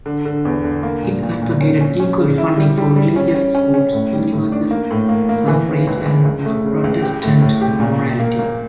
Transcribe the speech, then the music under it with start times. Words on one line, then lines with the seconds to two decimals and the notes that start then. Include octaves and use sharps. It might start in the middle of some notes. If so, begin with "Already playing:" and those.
It advocated equal funding for religious schools, universal suffrage and Protestant morality.
0.06 D3
0.25 D3
0.45 E2
0.64 D3
0.83 A#3
1.02 A#2
1.23 A#2
1.42 A#2
1.61 C#4
1.81 C#4
2.00 C#4
2.19 C#3
2.38 E4
2.57 G3
2.78 G3
2.96 G3
3.16 C#4
3.35 C#4
3.55 C#4
3.74 C#4
3.93 A2
4.13 G3
4.33 A2
4.52 D4
4.71 A#3
4.91 A2
5.09 A#3
5.29 A#3
5.48 E3
5.68 C#3
5.87 C#2
6.06 C#2
6.25 C#2
6.45 A3
6.64 C#3
6.84 C#2
7.03 G4
7.23 A2
7.41 A2
7.61 G4
7.80 A#2
7.99 A#2
8.19 A#3
8.39 A#3